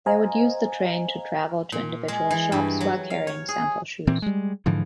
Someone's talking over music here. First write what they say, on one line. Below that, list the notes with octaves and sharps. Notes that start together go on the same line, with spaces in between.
They would use the train to travel to individual shops while carrying sample shoes.
C5 D#5 F5 G#5 A#5
A#2
G#3
E3
G2
F#3
F5
C#5
G#4
A#2 E3 C4
G3 G#3
G#2 D3 E3 F3